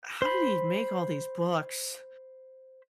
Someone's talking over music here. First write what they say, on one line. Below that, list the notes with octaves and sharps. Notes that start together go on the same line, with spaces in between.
How did he make all these books?
C5 B5